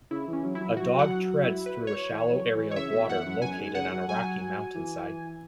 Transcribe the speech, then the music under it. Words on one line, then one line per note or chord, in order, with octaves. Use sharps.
A dog treads through a shallow area of water located on a rocky mountainside.
C#3 E4
E3
C#4
F#3
E4
F#3
E3
F#3 F#4
F#5
E4
B4
C#5
E3
F#3
E3
C#5
C#3 E5
B2
E2 F#5
F#2
F#2 G#5
G#2
C#3 F#5
F#3
F#3 G#5
E3